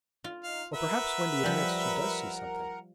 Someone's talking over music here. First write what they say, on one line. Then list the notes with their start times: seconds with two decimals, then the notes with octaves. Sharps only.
Or perhaps Wendy admits she does see something.
0.24 F4
0.44 D#4 F5
0.74 A#4 B4 E5 F#5 A#5
1.43 F3 G3